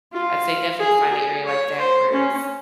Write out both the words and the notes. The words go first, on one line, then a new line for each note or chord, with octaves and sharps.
I'd say definitely find a area like that where it's
F4
G#4
G#4
C#5
C5
C#4